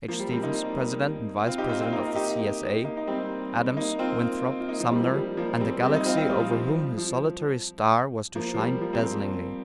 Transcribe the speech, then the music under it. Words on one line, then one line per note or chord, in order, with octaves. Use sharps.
H. Stephens, President and Vice-President of the C. S. A.; Adams, Winthrop, Sumner, and the galaxy over whom his solitary star was to shine dazzlingly.
F3 A#3
G3
G3 C4
A#3 D#4
C4 F4
D#4 G4
C4 F4
C4 F4
A#3 D#4
D#4 G4
A#3 D#4
D#4
G3 C4
A#3 D#4
C4 F4
F4
A#3 D#4
F3
G3
F3
G3
F3 A#3
G3 C4
G3 C4
D#4
C4 F4
C4 F4
G3
F3
F3
F3
F3 A#3
F3
G3
F3 A#3
G3 C4